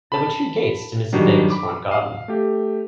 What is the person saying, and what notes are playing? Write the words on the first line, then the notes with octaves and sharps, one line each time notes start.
There were two gates to Mr. Davey's front garden.
A5 B5
D#3 F#3 G3 D4 D#4
B5 D6
F5
A3 G4